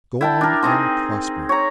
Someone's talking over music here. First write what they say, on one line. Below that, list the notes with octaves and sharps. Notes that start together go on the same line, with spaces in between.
Go on and prosper!'
E4 G5 A5
D4 A#4
C4 D#4 G#4
C#5 A#5